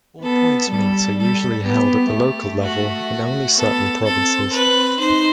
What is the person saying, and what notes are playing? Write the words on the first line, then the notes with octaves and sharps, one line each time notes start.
All-points meets are usually held at the local level in only certain provinces.
B3 A4
G3 A4
G3 A4
B3 G4
A3
F#4
B3 A4
C4 A4
B4
D#4 C5